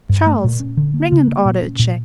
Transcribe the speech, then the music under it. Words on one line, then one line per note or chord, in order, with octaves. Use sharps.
Charles, ring and order a chair.
G2
A3
A#2
C#4
D3
A#3
C#3
A#3
A#2
C#4
A#2